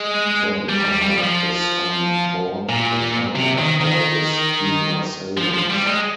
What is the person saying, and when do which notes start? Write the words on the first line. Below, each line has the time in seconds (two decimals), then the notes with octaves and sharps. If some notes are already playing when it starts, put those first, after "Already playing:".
Then I had a sudden thought, and hunted up all the steamer sailings.
Already playing: G#3
0.69 G3
0.85 G3
1.02 G3
1.18 F3
2.69 A#2
3.36 C3
3.58 D#3
3.81 D#3
5.37 F3
5.53 F3
5.70 G3
5.87 G#3